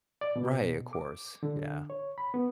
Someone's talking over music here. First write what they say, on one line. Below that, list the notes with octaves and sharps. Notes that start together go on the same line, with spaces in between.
Right, of course, yeah,
D5
B2
D6
D3
C#5
B5
B3